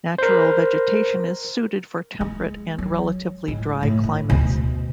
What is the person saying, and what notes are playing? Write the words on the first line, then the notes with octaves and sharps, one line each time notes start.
Natural vegetation is suited for temperate and relatively dry climates.
A#4 C5
G#3
F#3
A2 G#3
A2
A1
D2 B2